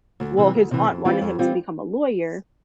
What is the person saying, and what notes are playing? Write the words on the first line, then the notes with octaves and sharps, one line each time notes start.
well, his aunt wanted him to become a lawyer,
D2
C3 E3
D2
C3 E3
F2
E3 G3 C4 F4
F2
E3 G3 C4 F4